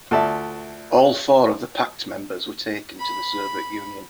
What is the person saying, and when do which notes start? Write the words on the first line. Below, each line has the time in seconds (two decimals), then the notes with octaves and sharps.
All four of the pact members were taken to the Soviet Union.
0.11 D2 F4 A4 D5 E5 A5
2.99 B5